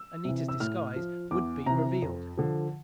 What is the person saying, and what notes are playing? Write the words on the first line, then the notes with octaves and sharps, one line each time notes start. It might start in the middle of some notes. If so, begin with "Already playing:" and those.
Anita's disguise would be revealed.
Already playing: E6
C3 E3
E6
A2 F6
F3
E2 D6
C3 E3 A#5
F2
D3 F3